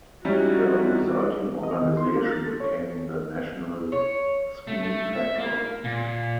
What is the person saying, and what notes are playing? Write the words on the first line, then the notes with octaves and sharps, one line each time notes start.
The resulting organization became the National Ski Patrol.
G3 C#4 D#4 E4 F#4
D#5
D#3
C6
A#3
A6
A4
C#5
C#5
A3
A3
E5
A#3
A#2